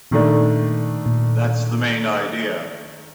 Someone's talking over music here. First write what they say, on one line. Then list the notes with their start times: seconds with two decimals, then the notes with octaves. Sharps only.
That's the main idea.
0.11 A#2 D#3 A3 D4
1.06 A#2